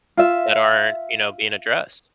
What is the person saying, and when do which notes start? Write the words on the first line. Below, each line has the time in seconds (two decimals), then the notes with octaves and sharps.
that aren't, you know, being addressed.
0.17 F4 E5